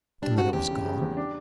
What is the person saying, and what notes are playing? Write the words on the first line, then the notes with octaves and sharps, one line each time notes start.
'And then it was gone?'
G3 D4
C#3 F#4
E2 G4
C#3
C#3
E2
D4